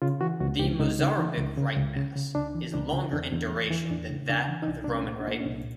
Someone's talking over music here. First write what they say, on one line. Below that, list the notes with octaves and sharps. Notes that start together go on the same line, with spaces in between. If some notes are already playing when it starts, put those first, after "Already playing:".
The Mozarabic Rite Mass is longer in duration than that of the Roman Rite.
C#3 F4
E3 F#4
C#2 F#4
C#2 G4
C#2 D#4
C#3
E3
C#2
C#3
C#2
C#3
C#3
C#2 D4
E3
C#2 D4
C#3
E2 D4
E2
E3
E3
E2 D4
C#3
C#3 D4
E3
D#4
C2 D4
C2 D4
C#4
A#2
D4
A#2
C#4
C2 D4